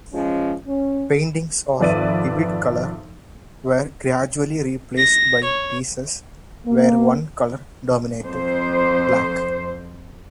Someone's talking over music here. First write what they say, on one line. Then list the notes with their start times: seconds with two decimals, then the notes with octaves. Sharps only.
Paintings of vivid color were gradually replaced by pieces where one color dominated: black.
0.13 F3 G#3 C#4
0.66 C#4
1.80 G#1 F2 B4 D5 E5 D#7
4.98 A#6
5.44 C#5
6.67 A#3
8.23 F2 C5